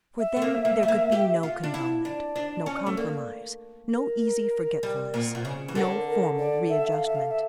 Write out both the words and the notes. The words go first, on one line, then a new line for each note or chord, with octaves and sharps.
For them there could be no condonement, no compromise, no easy forgetfulness, no formal readjustment.
E5
A3
A#3
A#3
A3
A#3
G4
F4
D4
E4
D4 D5
D4
C#4
A3
A#3
A#4
G3
A#2
A#2
C#3
E3
D3 A#4
C#5
A#4
A#4
D5
E5
F5
E5
F5
E5